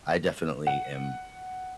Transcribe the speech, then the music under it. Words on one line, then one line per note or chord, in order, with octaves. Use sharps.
I definitely am,
F#5